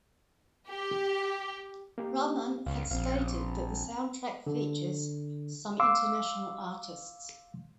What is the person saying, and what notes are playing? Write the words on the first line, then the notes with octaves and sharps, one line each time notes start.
Rahman had stated that the soundtrack features some international artists.
G4
A#3 G4
C#2 F5
A#1 C4 F5
D3
F5 C6 D6 E6